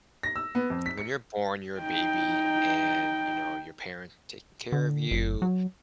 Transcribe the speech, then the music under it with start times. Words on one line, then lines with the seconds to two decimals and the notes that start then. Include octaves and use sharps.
When you're born, you're a baby, and, you know, your parent taking care of you,
0.23 A#6
0.36 E6
0.55 B3
0.70 F2
0.86 B6
0.98 C#7
1.80 D#4 G5
4.72 D3
5.11 F#1
5.42 F#3